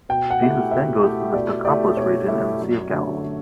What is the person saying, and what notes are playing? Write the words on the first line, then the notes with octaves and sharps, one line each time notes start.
Jesus then goes to the Decapolis region and the Sea of Galilee.
B2 G5
F#5
A3 E4 G4
F#5
B2 E5
A3 E4 G4
B2 D5
A3 E4 G4 D5
B2 C#5
A3 E4 G4
F#2
D3 A3